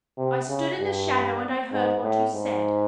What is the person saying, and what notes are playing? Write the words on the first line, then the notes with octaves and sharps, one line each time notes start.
I stood in the shadow, and I heard what you said.
C3
C#3
G2
G#2
A2
G#2